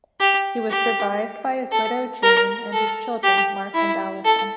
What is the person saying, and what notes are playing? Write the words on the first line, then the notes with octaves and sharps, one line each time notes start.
He was survived by his widow, Jean, and his children Mark and Alison.
G4
G4
A4
A#4
A4
G4
E4
A4